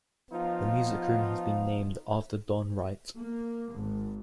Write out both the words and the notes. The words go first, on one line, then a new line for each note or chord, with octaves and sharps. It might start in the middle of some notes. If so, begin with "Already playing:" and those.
The music room has been named after Don Wright.
F3 B3 D#4 F4
A#3
G#1